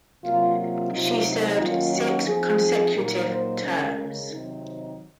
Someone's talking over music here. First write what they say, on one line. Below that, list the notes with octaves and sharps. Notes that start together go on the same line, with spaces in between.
She served six consecutive terms.
C3 F#3 A#3 F4
F4
C3 F#3 C4 D#4 F4
D#4
D#3 F#3 A#3 C#4 F4
F#4
F3 C4 D#4 G#4
A#2 F#3 A#3 D#4 A#4
C5
C#3 G#3 C#4 A#4
A#4
C3 D#3 F#3 C4 D#4